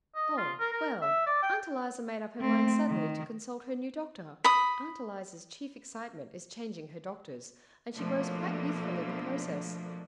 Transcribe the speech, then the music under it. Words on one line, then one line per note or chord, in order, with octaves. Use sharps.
'Oh well, Aunt Eliza made up her mind suddenly to consult her new doctor--Aunt Eliza's chief excitement is changing her doctors, and she grows quite youthful in the process.
D#5
F4
A#4
A#4
E5
D5
G5
A3 C4
D#3
B5 D#6
B2 F3 A3 A#3 D4